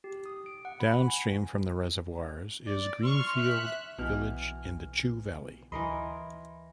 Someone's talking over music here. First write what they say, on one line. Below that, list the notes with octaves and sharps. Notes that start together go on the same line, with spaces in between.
Downstream from the reservoirs is Greenfield village in the Chew Valley.
G4
D#6
D7
F#5
B5
G#5
D5
C6 C#6 F6
E5 F#6
B1 B2 E3 B3 F6
D2 E3 A#4 D#5 B5 C6